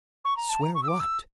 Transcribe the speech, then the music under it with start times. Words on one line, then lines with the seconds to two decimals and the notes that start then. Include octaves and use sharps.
"Swear what?"
0.24 C#6
0.36 A#5
0.49 A5
0.61 A#5
0.74 C#6
0.83 E6
0.88 D6
1.00 E6